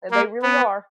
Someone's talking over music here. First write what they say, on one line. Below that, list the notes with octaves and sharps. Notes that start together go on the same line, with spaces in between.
The They really are.
A#3
B3